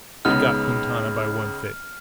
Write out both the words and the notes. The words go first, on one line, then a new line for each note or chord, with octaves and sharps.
He got Quintana by one foot.
C#2 C#3 G#3 B3 D#4 F6